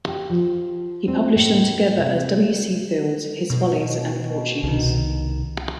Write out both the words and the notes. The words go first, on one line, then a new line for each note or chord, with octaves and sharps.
He published them together as "W. C. Fields: His Follies and Fortunes".
G4
F3
C4
A2
C3
B2
C2 D#3